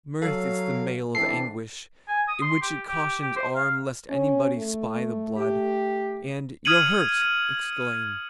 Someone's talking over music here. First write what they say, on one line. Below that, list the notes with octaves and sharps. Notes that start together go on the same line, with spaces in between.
Mirth is the mail of anguish, In which it cautions arm, Lest anybody spy the blood And "You're hurt" exclaim!
F#3 A4 F5
E3 C4 D4 A4 C7
G#5
D#6
C6
G4
G4
G4
C5
F5
C#4
A3
G4
D#6 F6 G#6 C#7 D#7 F#7